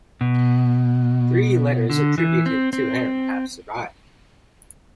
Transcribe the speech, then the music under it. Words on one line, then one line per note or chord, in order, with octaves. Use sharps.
Three letters attributed to him have survived.
B2
D3
E3
C4
C4